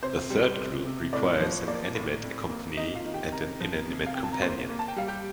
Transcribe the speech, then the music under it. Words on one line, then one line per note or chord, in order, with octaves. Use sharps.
A third group requires an animate accompanee and an inanimate companion.
C3 C5
G3
C3
C3
A2 D5
F3 C5
A#3 D5
A2
F2
A#3
F2 D#4 D#5
F4 F5
D#3
G4 G5
C3 A#4 A#5
F3
C3
F5
C3 G5
A5
A#5
A#3 C5 C6
A#3
A5
G5
G3 F5
G4 G5